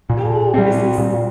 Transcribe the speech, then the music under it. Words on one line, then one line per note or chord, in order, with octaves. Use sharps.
"Oh, this is"
A#2
G3 C4
A#2